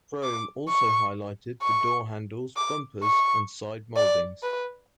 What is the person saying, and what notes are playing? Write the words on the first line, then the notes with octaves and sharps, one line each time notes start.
Chrome also highlighted the door handles, bumpers, and side mouldings.
D6
C#6
C#6
D6
C#6
D5
B4